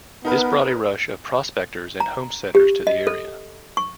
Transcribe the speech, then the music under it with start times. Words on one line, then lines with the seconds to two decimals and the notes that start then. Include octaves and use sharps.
This brought a rush of prospectors and homesteaders to the area.
0.25 B3 D#4 A#4 B4
2.00 A#5
2.55 G4
2.87 D#5
3.07 A4
3.77 C#6